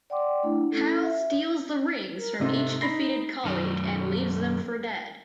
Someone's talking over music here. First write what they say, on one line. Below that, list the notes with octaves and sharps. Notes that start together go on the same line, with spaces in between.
Hal steals the rings from each defeated colleague and leaves them for dead.
D5 F#5 G5 C6 D6
A3 D4 E4
C#4 E4 A4
E5
A#4
G#2 C3 A3
D#4 B5 A#6 C7
F#2 D#3